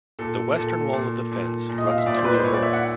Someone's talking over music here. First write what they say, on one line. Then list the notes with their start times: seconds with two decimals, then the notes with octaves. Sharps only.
The western wall of the fence runs through the river.
0.19 A#2 A4
0.56 A#2 A4
0.93 A#2
1.31 A#2
1.69 A#2
1.78 D#5
1.87 F5
1.98 E5
2.06 A#2 D5
2.16 C5
2.25 B4
2.34 C5
2.44 A#2 C#5
2.54 D5
2.62 E5
2.73 F#5